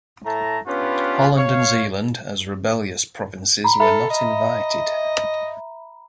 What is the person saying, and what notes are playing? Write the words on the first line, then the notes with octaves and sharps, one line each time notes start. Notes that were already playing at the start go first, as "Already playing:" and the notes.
Holland and Zeeland, as rebellious provinces, were not invited.
A2 A3 A5 A#5
B3 C#4 D4 F4 G4 B4
C#5 F5
A#5 B5
A4 E5 A#5 B5
D#5